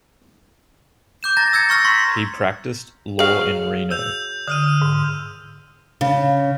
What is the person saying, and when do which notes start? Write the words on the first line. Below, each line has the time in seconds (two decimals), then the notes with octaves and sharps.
He practiced law in Reno.
1.23 D6 G6 E7
1.37 A#5 A6 A#6
1.53 E6 G#6 A6 C#7
1.69 A#5 C#6 F6 A#6
1.84 C6 C#6 B6
3.19 F#3 G#4 F5
3.91 E6 G6 F7
4.48 D3 D#6 F6 D#7
4.82 G#2
6.01 C#3